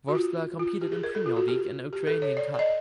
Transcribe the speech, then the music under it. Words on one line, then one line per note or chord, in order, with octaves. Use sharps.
Vorskla competed in Premier League and Ukrainian Cup.
F#4
F4
F4
G4
G#4
A#4
A4
F4
F#4
G4
G4
A4
C#5
D5
D5
D#5